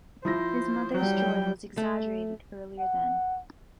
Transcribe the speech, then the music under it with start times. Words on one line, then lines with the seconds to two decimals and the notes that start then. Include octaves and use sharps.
His mother’s joy was exaggerated earlier then.
0.25 F3 E4 C5 A#6
0.94 F#3 G3 G5
1.78 A3
2.79 F#5